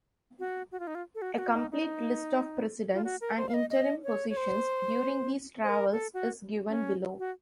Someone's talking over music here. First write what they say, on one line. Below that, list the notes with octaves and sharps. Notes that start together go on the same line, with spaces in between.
A complete list of presidents, and interim positions during these travels, is given below.
F#4
F#4
F4
D#4
F4
A4
F#4
A4
F#4
F4
D#4
D#4
F4
F#4
A#4
C5
F5
D#5
D#5
C#5
C#5
C5
C5
A#4
A4
F#4
C#4
F#4